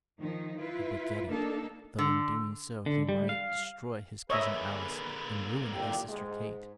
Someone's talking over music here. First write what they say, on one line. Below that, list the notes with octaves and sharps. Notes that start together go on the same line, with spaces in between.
He would get it; though in doing so he might destroy his cousin Alice and ruin his sister Kate.
D#3 F3 D#4
E4 F4 B4
A#3 D4 D#4 A4
D3
D3
G3
F5
D3 A#3 G#4 B4 C#5 D#5 E5
C2 A#2 D#3 G4
G#2 G#3